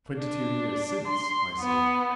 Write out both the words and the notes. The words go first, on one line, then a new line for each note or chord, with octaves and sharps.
"Twenty-two years since, I see."
D4
C6
B3